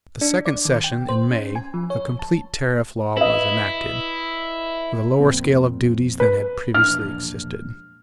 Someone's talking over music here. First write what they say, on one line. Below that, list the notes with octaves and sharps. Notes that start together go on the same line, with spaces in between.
At the second session, in May, a complete tariff law was enacted, with a lower scale of duties than had previously existed.
D4
D5
D#3
G5
C5
C#4
G#5
F3
C#5
A5
E4 B4 D#5
F2 A#2 C4
B4
E1 A#1 D4 F6